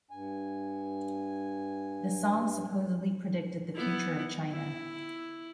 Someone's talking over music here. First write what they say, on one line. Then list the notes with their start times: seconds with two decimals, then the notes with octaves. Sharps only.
The song supposedly predicted the future of China.
0.11 G2 G#5
3.75 B3 E4
4.51 E4